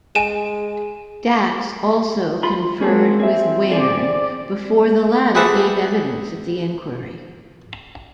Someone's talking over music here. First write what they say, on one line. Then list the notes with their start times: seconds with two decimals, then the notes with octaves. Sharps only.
Dax also conferred with Wearne before the latter gave evidence at the Inquiry.
0.15 G#3 G#5 D#7 E7
2.43 F4 B5 C6
2.81 G#3 A#3 C4 C#4 G#4 A5
3.20 C4 G#4 E5
3.72 C4 G#4 D5
5.35 G4 G#4 B4 E5 F#5 A5